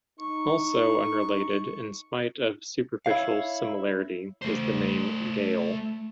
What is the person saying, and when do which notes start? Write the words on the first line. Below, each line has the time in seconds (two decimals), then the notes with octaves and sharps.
Also unrelated in spite of superficial similarity is the name "Gael".
0.19 D#4 C#6
3.06 E4 C#5 F5
4.42 A3 C5